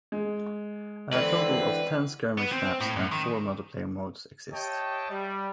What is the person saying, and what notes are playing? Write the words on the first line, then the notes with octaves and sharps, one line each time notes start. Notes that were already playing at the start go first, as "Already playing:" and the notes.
A total of ten skirmish maps and four multiplayer modes exist.
G#3
D3 E3 C4 B4
B3
C4
A2
F#2
D#3
G4 C#5 D#5 E5 G5 A5
G3